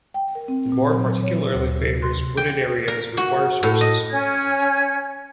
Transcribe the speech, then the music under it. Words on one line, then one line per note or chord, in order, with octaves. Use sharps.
The boar particularly favors wooded areas with water sources.
G5
A#4
C4
A#2
F#3
C#5
D2
C3
C6
G5
A#4
F#4
A2
D#5
C#4 G#6